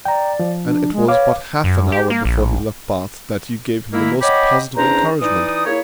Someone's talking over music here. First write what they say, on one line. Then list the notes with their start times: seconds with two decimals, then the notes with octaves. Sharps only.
And it was but half an hour before he left Bath that you gave him the most positive encouragement.
0.05 D5 G5 A#5
0.40 F3
0.64 D4
0.92 G#3
1.08 B4 C#5 F5 D6
1.64 F#2
1.92 G4
2.10 A#3
2.25 A#1
3.93 D#3 A#3 E4
4.22 C#5 D#5 F#5 G5 B5 D6
4.77 E2 C#4 D4 C5 A#5
5.21 E3 D#4 D5 D#6
5.66 A#3 E4 G#4 C#5